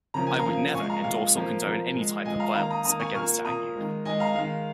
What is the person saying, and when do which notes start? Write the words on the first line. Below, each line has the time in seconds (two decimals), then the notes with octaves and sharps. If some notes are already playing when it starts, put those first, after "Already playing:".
I would never endorse or condone any type of violence against our youth.
0.14 C#3 F3 A#3 A#5
0.27 G#5
0.39 F5 A#5
0.45 C#3 F3 A#3
0.74 A#2 G#3 G#5 C#6
0.90 F5 A#5
1.04 A#2 G#3 F5
1.35 A#2 F3 A#3
1.64 A#2 F3 A#3
1.94 A#2 G#3
2.25 A#2 G#3 D#5 G#5
2.40 F5 A#5
2.55 D#3 A#3 F5 A#5
2.71 A#5 D#6
2.85 D#3 A#3 A#5 D#6
3.00 G#5 C#6
3.15 A#2 A#3 C#6 F6
3.45 A#2 A#3 A#5 D#6
3.76 D#3 G#3
4.05 D#3 G#3 D#5 G#5
4.20 F5 A#5
4.35 D#3 G#3 F5